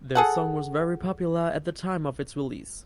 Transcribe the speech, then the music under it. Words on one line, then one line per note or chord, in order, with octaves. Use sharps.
The song was very popular at the time of its release.
G#4 A4 F#5